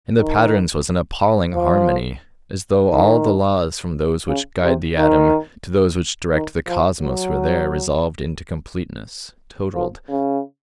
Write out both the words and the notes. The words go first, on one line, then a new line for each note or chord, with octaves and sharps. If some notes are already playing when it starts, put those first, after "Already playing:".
In the patterns was an appalling harmony--as though all the laws from those which guide the atom to those which direct the cosmos were there resolved into completeness--totalled.
D#3
F3
D#3
C#3
C3
D#3
D#3
F3
F#3
F3
C#3